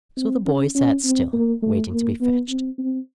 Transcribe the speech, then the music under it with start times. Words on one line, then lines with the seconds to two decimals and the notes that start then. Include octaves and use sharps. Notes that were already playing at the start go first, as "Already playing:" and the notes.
So the boy sat still, waiting to be fetched.
0.17 C4
0.46 C#4
0.75 C#4
1.04 C4
1.33 A#3
1.62 A3
1.91 A#3
2.21 B3
2.50 C4
2.78 C4